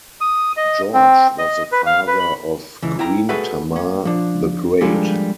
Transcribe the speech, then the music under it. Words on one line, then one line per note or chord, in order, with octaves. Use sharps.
George was the father of Queen Tamar the Great.
D#6
D#5
C4
D#5
B4
F5
B4
B5
C#2 E3
E4 G5 A#5
F#4 G#4 A4 B4 E5 F#5
A#3
F3 D4
F3 G3 G#3 A#3 D4 A4